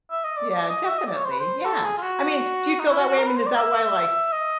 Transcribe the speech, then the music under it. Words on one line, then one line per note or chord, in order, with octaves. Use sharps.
Yeah, definitely, yeah. I mean, do you feel that way? I mean, is that why, like,
E5
D#5
D5
D5
D#5
E5
D#5
D5
C#5
C5
B4
C5
A4
G#4
F4
F#4
D#4
E4
F#4
F#4
A#4
B4
C5
D5
E5
D#5